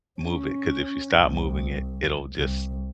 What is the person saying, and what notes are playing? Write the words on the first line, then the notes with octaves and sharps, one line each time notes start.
move it, 'cause if you stop moving it, it'll just
C#4
C2
C2